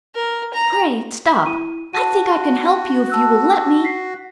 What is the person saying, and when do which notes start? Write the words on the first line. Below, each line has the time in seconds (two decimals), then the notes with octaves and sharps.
"Pray, stop; I think I can help you if you will let me."
0.15 A#4
0.54 A#5
1.46 E4 D#7
1.93 F#4 A5 D#7
3.10 A5 E6 F#6
3.84 B6 C7